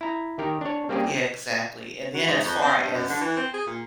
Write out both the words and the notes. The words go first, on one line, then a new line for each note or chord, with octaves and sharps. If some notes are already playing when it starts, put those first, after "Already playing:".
Yeah, exactly, and then as far as,
E4 A#5
D#3 G4 A#4
D4 C#5
G3 A#3 C4 C#4 G4 G#4
F#3
G#2
F2
C4
G2
F#2
D3
E3
C4
G#4
A#2